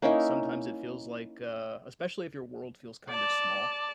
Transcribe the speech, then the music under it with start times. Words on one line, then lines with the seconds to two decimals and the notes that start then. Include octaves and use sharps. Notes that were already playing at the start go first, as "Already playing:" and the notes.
sometimes it feels like, uh especially if your world feels kind of small,
0.02 A#3 C#4 D#4 E4
3.10 D5 A5